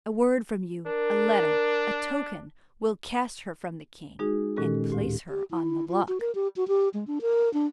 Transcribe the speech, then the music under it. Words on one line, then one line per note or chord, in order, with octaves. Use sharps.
A word from you--a letter--a token--will cast her from the king, and place her on the block.
D4 A#4
G#3 D#4 F#4 G#4
A#2 D#3 G#3 C#4 G4 A4
D2 A2 G4
G4
E4
F4
F#4
A#4
G4
F#4
G4
G#3
D4
A#4
D4